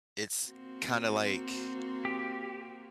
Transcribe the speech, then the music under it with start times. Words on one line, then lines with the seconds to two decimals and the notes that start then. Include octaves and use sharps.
it's kinda like,
0.46 A#3 C4 F#4
2.05 G4